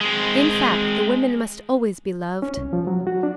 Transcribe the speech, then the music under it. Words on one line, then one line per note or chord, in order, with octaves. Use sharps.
In fact, the women must always be loved.
G#3 C4
C#4
C2
F3
F#3
F#4
D4